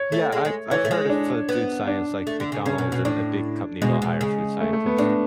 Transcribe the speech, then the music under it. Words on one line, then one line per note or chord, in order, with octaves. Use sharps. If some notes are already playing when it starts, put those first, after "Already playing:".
Yeah, I've I've heard of f food science, like McDonald's and the big companies all hire food scientists.
Already playing: C#5
A3
G#3
G#3
E3 C#5
A3
G#3
D4
B3
D4
A3
D3
C#3
C#3 C#4
B2
B2
A2 D4
B2 G#3
B2
C#3
A3
A3
B3
A2 D4